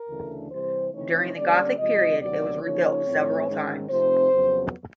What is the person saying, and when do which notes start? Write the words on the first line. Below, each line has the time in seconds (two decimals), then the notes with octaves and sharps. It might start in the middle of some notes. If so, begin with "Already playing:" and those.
During the Gothic period it was rebuilt several times.
Already playing: A#4
0.09 D2 C#3 E3 A3 D4
0.51 C3 E3 G3 C5
0.93 C3 E3 A3 C4 D#4 C#5
1.35 D3 G3 A#3 C#4 D5
1.78 C3 F3 G#3 D#5
2.20 D2 C3 D#3 F#3 B3 D5
2.62 C#3 F3 A#3 D#4 C#5
3.05 A2 F3 A3 C4
3.47 G#2 D#3 G#3 C#4
3.89 C3 F3 A3 C4 D#4 C5
4.32 F2 C#3 F#3 B3